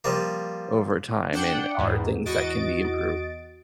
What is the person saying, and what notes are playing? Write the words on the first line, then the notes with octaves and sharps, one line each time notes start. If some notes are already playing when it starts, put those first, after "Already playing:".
over time and are things that can be improved
F3 G3 A#3
D4 F#5 G5
E2 G#2
E2 F#4 D#5 A6 D7